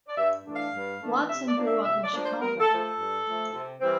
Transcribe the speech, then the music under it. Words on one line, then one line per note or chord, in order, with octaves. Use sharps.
Watson grew up in Chicago.
D5
G2 E5
E3 A3 D4
F5
G2
E3 A3 D4
C3 E5
D5
F3 A#3 D4
E5
C3 E5
D5
F3 A#3 D4
C5
G2 A#4
A4
F3 A3
A4
G2
F3 A3
C3
E3 G3 C4